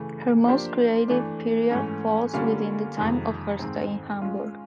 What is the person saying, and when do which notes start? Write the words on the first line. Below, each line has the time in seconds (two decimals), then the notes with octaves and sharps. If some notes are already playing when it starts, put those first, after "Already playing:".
Her most creative period falls within the time of her stay in Hamburg.
Already playing: C#3 E3 A3
0.45 F3 A#3 D4 G4 C5
1.08 E3 A3 D4
1.71 G#2 E3 A3 C#4
2.33 D3 G3 A#3 C#4 F4
2.97 F2 C3 D#3 G#3
3.59 G#2 D#3 G#3 C4
4.22 G#3 C#4 F4